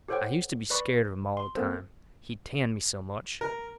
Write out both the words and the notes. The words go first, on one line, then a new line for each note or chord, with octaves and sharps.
I used to be scared of him all the time, he tanned me so much.
G4 A4 C5 C#5 F#5 G5
B4 D5 B5 C#6
C6
A#3 C4 A4 A#4 C5
A#4